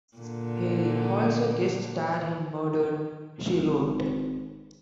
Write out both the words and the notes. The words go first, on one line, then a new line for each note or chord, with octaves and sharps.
He also guest starred in "Murder, She Wrote".
A#2 D3
G#1